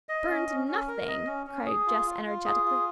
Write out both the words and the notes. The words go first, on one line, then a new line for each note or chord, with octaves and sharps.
"Burned, nothing!" cried Jess energetically.
D#5
C#4
C#4
C#4
A#4
D#5
C#4
C#4
G#4
F4
F4
F4
G#4
F4